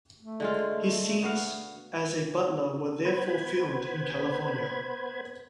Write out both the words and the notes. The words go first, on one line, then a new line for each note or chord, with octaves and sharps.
His scenes as a butler were therefore filmed in California.
A3
D3 G#3 F4
B3 F#4 F5
B3 B4 C5 B5 G#6